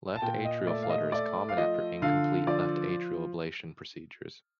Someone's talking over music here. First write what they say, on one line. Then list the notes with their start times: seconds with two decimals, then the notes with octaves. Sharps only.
Left atrial flutter is common after incomplete left atrial ablation procedures.
0.16 A5
0.22 A#2 G5
0.45 D#5
0.67 A3 D5
0.82 F5
0.90 D#5
1.12 A3 D5
1.49 F5
1.57 F3 D#5
2.02 D3 F5
2.47 F3 D5